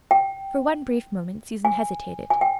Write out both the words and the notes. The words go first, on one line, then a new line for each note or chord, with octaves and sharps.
For one brief moment Susan hesitated.
G5
G#5
G#5
G5